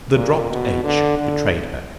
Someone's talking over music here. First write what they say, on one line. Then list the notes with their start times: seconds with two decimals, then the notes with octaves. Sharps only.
The dropped "h" betrayed her.
0.16 A#2
0.50 B2
0.84 D3
1.18 D3